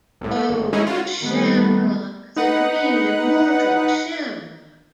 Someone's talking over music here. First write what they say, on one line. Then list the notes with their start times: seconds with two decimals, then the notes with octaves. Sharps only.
Oh the Shamrock, the green immortal Shamrock!
0.21 C2 A2
0.36 A3
0.49 G#1
0.73 G#3 C#4 D#4 E4 G#4
0.87 F4 F#4
1.21 D#3 G3 A3 B3
2.36 D#4 B4 F#5